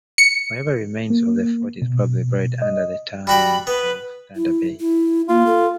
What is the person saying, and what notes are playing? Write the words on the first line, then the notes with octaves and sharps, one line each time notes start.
Whatever remains of the fort is probably buried under the town of Thunder Bay.
C#7
A#3
B2
D#5
G3 F#4 G5 B5
B3 B4
E4
E4
A#3 F4
A4